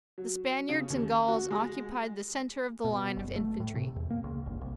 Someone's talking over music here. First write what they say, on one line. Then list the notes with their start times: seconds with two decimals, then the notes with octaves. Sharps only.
The Spaniards and Gauls occupied the centre of the line of infantry.
0.18 F#3
0.69 C#3
0.90 D#2
1.28 F#4
1.50 G#3
2.85 B2
3.17 F#1
3.36 A3
3.60 A2
3.75 C3
3.96 E2
4.10 A#3
4.24 C#2
4.46 G1
4.61 C2